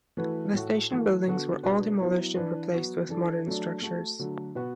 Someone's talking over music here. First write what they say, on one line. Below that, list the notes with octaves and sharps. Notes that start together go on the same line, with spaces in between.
The station buildings were all demolished and replaced with modern structures.
E3 A3 F#4 B4
A2 A3 F#4
E3 A3 F#4
D3 B3 F#4 A4
B2 B3 D4 F#4 B4
F#3 B3 E4
E3 D4 B4
F#3 B3 F#4
E3 D4 A4
F#3 A3 D4
A3 F#4 A4
D3 F#3 A3
B2 B3 F#4 B4